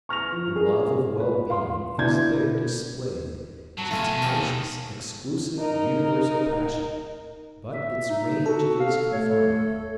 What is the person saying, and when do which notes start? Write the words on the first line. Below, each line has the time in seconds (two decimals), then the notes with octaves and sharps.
The love of well-being is there displayed as a tenacious, exclusive, universal passion; but its range is confined.
0.09 C#6 F6 A#6 F7
0.32 F3
0.56 G#4 A#4
1.15 F4 B4
1.50 F5 C6
1.98 B2 D3 E4 D5 G6 G#6
3.78 F#3 A5
3.91 B2 A3 F4 F#4 G#5
4.22 D#2 G4 A#4
5.58 D#4 A#4
7.73 E5
8.09 D#4
8.46 F#4 A4
8.80 F5
9.12 A3 C#5